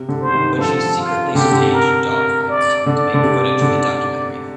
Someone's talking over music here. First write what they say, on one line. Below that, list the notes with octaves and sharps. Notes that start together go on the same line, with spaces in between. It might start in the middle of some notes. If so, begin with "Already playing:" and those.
But she secretly staged dogfights to make footage for the documentary.
Already playing: C3
D3
C5
C3 D#3
D3 F3 A4
F4
D3 G4
C3
D3
A#4
A#4
D5
D3 D5
D3
C3
D3